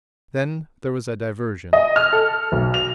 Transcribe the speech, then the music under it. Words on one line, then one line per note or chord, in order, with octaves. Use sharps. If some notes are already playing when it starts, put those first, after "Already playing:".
Then there was a diversion.
D#5
F6
A4
B1
F7